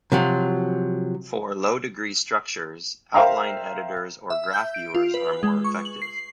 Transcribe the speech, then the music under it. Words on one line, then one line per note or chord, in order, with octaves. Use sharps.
For low-degree structures, outline editors or graph viewers are more effective.
C3 F3 F#3
A#4 C5 E5 F5 G5 A#5
E5
G6
D7
F4
B4
G#3
C#6
F#7
C7